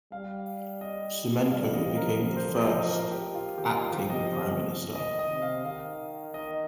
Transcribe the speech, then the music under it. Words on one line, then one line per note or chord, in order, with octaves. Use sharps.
Symonenko became the first "acting Prime Minister".
G3 F5
D#5
G3 F5
D#5
F3
A#4
A#4
C5
D#5
D#5
A#4
G4
F4
D#3 G4
F4
F3 G4
D#5
D#5
D#3 D#5
D#5
C3
F5
D#3 F5
D#5